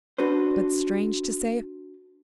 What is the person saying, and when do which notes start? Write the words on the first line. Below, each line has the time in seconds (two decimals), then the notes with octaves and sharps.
But, strange to say!
0.18 D4 F#4 A4 B4 C5